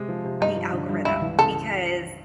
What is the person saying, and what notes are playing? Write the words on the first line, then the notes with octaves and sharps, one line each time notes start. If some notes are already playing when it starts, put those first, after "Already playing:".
the algorithm, because
Already playing: C3 G#3
F3
C3
G2 D#4
F3
D3
G2
C#2 E4
E3
C#3 A4